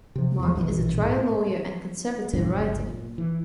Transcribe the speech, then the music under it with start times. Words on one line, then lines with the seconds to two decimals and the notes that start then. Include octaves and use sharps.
Mark is a trial lawyer and conservative writer.
0.15 C3 F3
0.39 E2 F3
0.55 C#2 F#2 B2 E3
0.69 A#1 B2 D#3 E3
1.01 G#2
1.17 A2
2.33 D2 G2 B2 D3
2.54 G1 C#2 F#2
2.88 A#2
3.18 E3